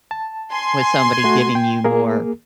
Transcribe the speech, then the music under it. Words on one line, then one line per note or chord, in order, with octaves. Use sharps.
with somebody giving you more,
A5
G#5 C6
A3 F#4
G5
A#3 G#4 A#4